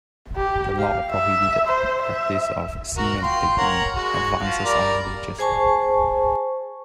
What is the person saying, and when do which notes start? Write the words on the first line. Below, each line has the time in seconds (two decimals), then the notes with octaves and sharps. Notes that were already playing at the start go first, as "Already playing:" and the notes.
This law prohibited the practice of seamen taking advances on wages.
0.36 G4
0.78 F5
1.09 E5
1.67 C5
2.02 E5
2.97 F#4 A#4 C#6
3.23 F4 G5 C6
3.58 A#4 C#5 F#5
3.96 G#3 F#4
4.41 F3 F5
4.64 G3 A#4 D5
5.39 G#4 C5 G#5 A5 C#6